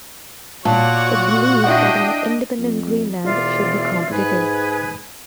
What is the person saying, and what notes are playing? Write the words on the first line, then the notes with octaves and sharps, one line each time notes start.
It believes that an independent Greenland should be competitive.
A#2 F#4 C#5 D5 A5
D4 E4 D5 D#5 F#5 G5
F2
E1 E4 F4 D5
G#2 G#4 B4 G#6